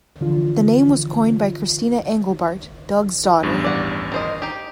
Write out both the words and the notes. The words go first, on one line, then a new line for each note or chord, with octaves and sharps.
The name was coined by Christina Engelbart, Doug's daughter.
D3 E3 F3 F4
A1 E2 G2
D5 F#5
D#3 C5 D#5
D#4 G4